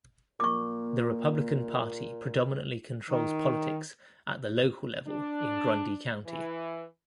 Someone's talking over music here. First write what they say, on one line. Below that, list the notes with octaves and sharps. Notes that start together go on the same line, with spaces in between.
The Republican Party predominantly controls politics at the local level in Grundy County.
A#2 A#3 C#6 D6
D#3
D4
E3